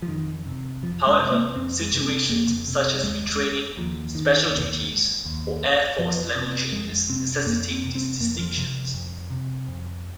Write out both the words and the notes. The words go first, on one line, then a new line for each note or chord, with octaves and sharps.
However, situations such as retraining, special duties, or Air Force-level changes necessitate these distinctions.
F3
F2 D#3
C3
F2 F3
G#3
C3
A#3
F2 C4
G#3
C3
C4
F2 A#3
C3
D#2 G#3
D#2 F3
D#3
D#2
D#2
F2 F3
C3
F2 G#3
C3 C4
F2 A#3
C4
C3
C4
F2 A#3
F3
C3 F3
F2
C3
F2